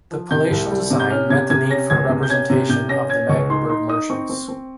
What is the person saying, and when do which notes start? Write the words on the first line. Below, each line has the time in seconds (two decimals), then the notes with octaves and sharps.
The palatial design met the need for representation of the Magdeburg merchants.
0.11 F3
0.31 C3 G6
0.51 C2
0.70 G3
0.90 C3
1.00 G6
1.10 C#4 F6
1.30 C3 G#6
1.50 C3 G#6
1.70 C#4 A#6
1.90 C#2 G#6
2.09 C3
2.23 G6
2.29 C#4 G#6
2.50 C3
2.69 C3 G6
2.89 C#4 A#6
3.09 C#4 G#6
3.29 C#2 C#6
3.49 D#4 C6
3.69 D#4 C6
3.89 D#4 D#6
4.10 C4 C#6
4.29 C4
4.48 C4